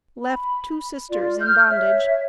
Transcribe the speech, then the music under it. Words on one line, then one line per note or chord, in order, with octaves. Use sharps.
Left two sisters in bondage.
B5
F4 D5
F6 G6
C#5 E5